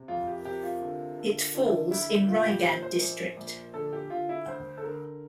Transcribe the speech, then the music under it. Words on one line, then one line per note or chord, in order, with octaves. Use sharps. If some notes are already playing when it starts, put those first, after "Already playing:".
It falls in Raigad district.
Already playing: C3
F2 F4
G4
C3 G4
F4
D3
D3
D3 D4
D2 E4
A#2 F4
G4
A#2 C5
C5
A#1
A#1
D3 A4
G4
D3 F4
E4
D2 C5
A4
D3 A#4